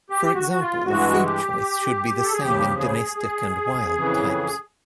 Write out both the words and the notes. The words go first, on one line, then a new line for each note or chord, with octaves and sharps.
For example, food choice should be the same in domestic and wild types.
G4
F#4
F#4
F4
G2 E3 G#3 F#4
G4
A4
G#4
D#2 C#3 F3 G4
G#4
G#4
F2 C#3 E3